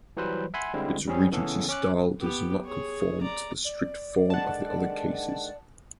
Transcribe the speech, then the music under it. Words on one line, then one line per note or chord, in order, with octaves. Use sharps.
Its Regency style does not conform to the strict form of the other cases.
E3 F#3 G3 B4 C5
E5 F#5 G#5 B5 C6
D3 G3 G#3 C4 E4
G3 C4 C#4 G#4
C#3 E3 B3 C#4 G#4 A4
C#4 D6 F#6
B3 G4
G#4 C#5
D5 A#5
D5
D3 D#3 G#3 F#5 A5